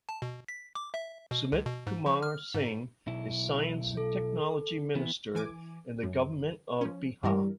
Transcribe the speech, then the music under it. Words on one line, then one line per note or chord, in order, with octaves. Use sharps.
Sumit Kumar Singh is Science and Technology minister in the Government of Bihar.
A5
B2
B6
D6
E5
B2
C#2
B2
G#2
F3
F6
G#2
B1 E4
A4
E3 B3
E3 G#5 D6
F#2
F3 C#4
G2 E3 G3 A#4